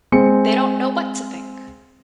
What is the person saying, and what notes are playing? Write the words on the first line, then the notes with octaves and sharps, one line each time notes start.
They don't know what to think.
G#3 C4 C#7